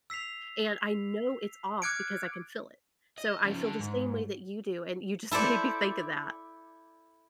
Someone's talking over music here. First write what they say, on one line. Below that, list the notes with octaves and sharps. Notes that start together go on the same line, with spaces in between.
And I know it's off because I can feel it. So, I feel the same way that you do, and you just made me think of that.
E6 B6 C7 F7
D6 F6 F#6 G#6 C#7 D7
D#5
C#3 F3
D3
G#2
E4 A4 C5 D5